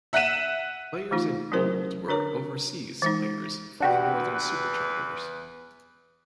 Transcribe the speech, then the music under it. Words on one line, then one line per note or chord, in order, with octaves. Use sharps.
Players in Bold were overseas players for the Northern Superchargers.
E5 F#5 F#6 B6 D#7 E7
E3 A3 D#4 F4
F#3 C#4 E4 A#4 C5
D3 D4 A#4 C#5 A#5
E3 G#3 D#4
E2 D4 F#4 G4 B4